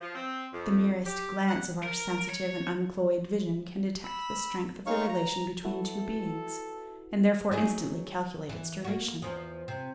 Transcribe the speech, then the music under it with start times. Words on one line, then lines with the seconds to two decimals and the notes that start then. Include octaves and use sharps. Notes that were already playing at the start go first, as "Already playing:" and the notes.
The merest glance of our sensitive and uncloyed vision can detect the strength of the relation between two beings, and therefore instantly calculate its duration.
0.01 F3
0.15 C4
0.53 F2
1.05 G4
1.47 F#5
1.83 A#4
2.30 C#5
4.05 B5 E6
4.86 G#3 A#3 D#4 C#5 F5 C#6
5.09 A#5
5.64 E4 F#4 A4 B4
7.51 F#3 D#4 G#4
8.49 E3
8.84 A#3 F#4
9.22 E2 F3
9.68 C3